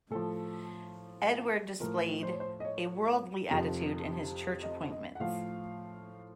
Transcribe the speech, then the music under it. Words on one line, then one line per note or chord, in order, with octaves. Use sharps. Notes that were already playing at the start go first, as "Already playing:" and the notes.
Edward displayed a worldly attitude in his church appointments.
A2 F3 A4
A2 F3 A#4
C5
C#5
C5
D#5
C#5
F2 C3 F3
D#5
D#5
F#5
A2 F3 F5